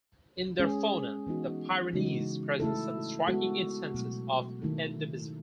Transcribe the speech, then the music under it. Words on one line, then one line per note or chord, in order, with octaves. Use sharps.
In their fauna the Pyrenees present some striking instances of endemism.
G#3 C#4 G#4
E3 B3 D#4 F#4
C#3 E3 G#3 D#4 F#4
A3 E4 A4
G#3 B3 F#4 A4
B2 F#3 A3
D#3 A3 E4 A4